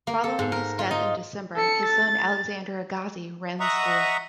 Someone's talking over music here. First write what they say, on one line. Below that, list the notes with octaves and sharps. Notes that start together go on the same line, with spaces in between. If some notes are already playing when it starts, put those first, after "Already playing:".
Following his death in December, his son Alexander Agassiz ran the school.
A#3
A4
G#2
A#4
F4
D#4
A4 C#7
A6
D#5 E5 F#5 A#5 C#6 D#6